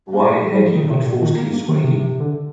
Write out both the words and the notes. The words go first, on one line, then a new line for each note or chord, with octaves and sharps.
Why had he not forced his way in?
A#3
A3
G3
F3
D#3
C3
A#2
D#3
A#3
A#3
D#3
C3
C3
D3